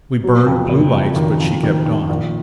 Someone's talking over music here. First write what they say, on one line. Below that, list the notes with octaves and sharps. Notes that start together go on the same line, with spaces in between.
We burned blue lights, but she kept on.
F#3
F2
F#1
F2
D#3
F2
D#3
D#3
A#1